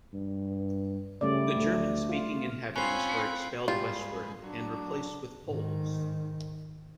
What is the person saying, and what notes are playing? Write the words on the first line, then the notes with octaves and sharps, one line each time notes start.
The German-speaking inhabitants were expelled westward and replaced with Poles.
G2
C#3 G3 A3 D5
D2 A3
F4
C4 C#4 F4 B5 F#6 C7
G#2 G3 F4 G#4 B4
F#3 D4
G#2 D#3